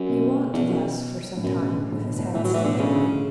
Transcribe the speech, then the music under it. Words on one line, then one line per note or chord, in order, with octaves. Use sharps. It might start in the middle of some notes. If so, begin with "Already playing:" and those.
He walked thus for some time, with his head still drooping.
Already playing: F#2
B2
C#3
E2 B2
F#2
A2
F#2 B2
C#3
D3
A2
B2
A2
A2 E3
F#3
E3
B2 D3
C#3
D3